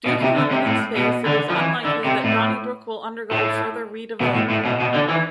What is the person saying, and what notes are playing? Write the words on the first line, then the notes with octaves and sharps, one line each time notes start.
Due to limited space, it is unlikely that Donnybrook will undergo further redevelopment.
B2
C3
D3
C3
A2
B2
D3
F3
E3
D3
C3
A2
A2
B2
A2
A2
B2
B2
D3
E3